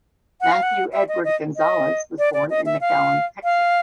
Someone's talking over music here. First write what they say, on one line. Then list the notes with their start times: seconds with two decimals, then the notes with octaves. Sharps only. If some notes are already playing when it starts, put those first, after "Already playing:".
Matthew Edward Gonzalez was born in McAllen, Texas.
0.41 F#5
0.51 F5
0.63 F#5
0.93 E5
1.09 D#5
1.25 D#5
1.56 D#5
2.19 D5
2.34 D5
2.50 D#5
2.66 E5
2.81 F5
3.44 F5